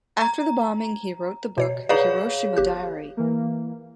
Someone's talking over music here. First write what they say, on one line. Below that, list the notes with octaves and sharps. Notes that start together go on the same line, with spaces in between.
After the bombing he wrote the book The Hiroshima Diary.
A#5
B2 C#5 C7
G#4 B4 C#5 D5 F5 A#5
G1 G4 F#6
E3 A#3